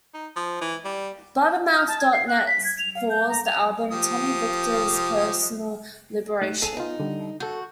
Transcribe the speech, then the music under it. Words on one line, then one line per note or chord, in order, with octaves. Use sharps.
Blabbermouth dot net calls the album Tommy Victor's personal liberation.
D#4
F3
E3
G3
F6
A5
G#6
C7
F#6
B6
G#6
F7
F5
G6
A#5
F7
F3 G4 D#6
A3 D#4 F#6
G#4 A4
B3 D#4 F4
D3 G3
F#4 A4 G6